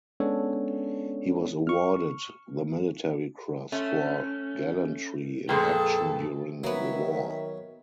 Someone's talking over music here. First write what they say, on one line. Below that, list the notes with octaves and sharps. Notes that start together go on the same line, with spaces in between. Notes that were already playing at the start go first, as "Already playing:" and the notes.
He was awarded the Military Cross for gallantry in action during the war.
G#3 B3 C#4 D4 A4 C#5
C#6 F6
A3 C#4
F2 A#2 G#4 A4 B4 G5
D#3 F#3 A#3 B3 E5